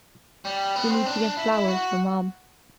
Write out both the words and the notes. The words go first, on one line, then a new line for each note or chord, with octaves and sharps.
We need to get flowers for Mom.
G3
B3
C4
D4
E4
E4
F#4